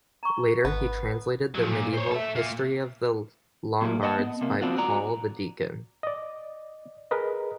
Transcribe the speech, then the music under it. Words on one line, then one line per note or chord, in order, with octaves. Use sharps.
Later, he translated the medieval "History of The Lombards" by Paul the Deacon.
A#5 C#6
G#1 B3
F3 F#3
A#2
C5 C#5
A4 E5
A#3 F4
A#2 F#3 A3 A#3
D#5 F#5 A5
B3
C3 A#3
F3 B3 C4 D4 F4 F#4
G#2 F#4 D5 A#5
D5 D#5
G#4 A#4 B4 D#5